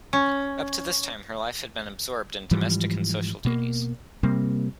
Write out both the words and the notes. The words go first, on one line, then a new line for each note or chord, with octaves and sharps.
Up to this time, her life had been absorbed in domestic and social duties.
C#4
G#2 E3 F3 G3
B2 A#3
C3 G3 A#3 C4